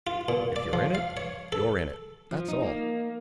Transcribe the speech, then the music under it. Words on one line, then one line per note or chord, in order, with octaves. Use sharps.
If you're in it, you're in it, that's all!
F4
A#2
D5
F3
F5
C#5
A4
F3
D#4
A#3